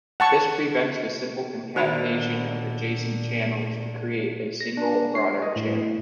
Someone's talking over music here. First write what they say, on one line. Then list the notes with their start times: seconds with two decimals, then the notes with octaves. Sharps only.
This prevents the simple concatenation of adjacent channels to create a single broader channel.
0.20 F#5 A5 C#6
1.76 A#2 D3 D#3 F#4 C5 B5
4.61 A#6
4.77 D4
5.15 C7
5.42 D#5
5.56 A2